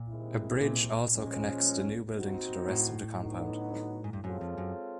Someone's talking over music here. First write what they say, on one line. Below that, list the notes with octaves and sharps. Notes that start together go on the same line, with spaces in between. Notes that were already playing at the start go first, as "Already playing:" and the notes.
A bridge also connects the new building to the rest of the compound.
Already playing: A#2
C3 D#3 G#3 C4 E4
A#2
F3 G#3 C#4
C4 D#4 F#4
A2
D3 F#3 B3 D#4 F#4
G#2
G2
F#2 G#3 C4 F4 A4 C#5
F2
F#2